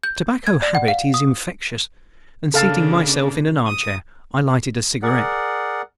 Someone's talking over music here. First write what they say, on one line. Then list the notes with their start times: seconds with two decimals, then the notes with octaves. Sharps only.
The tobacco habit is infectious, and, seating myself in an arm-chair, I lighted a cigarette.
0.03 G6
0.47 G#6
0.62 D5
0.75 F#5
0.88 F5
1.14 D#6
2.54 C#3 A#3 D4 A4 F5 A5
3.67 D#6
5.03 G#4 A#4 D5 F#5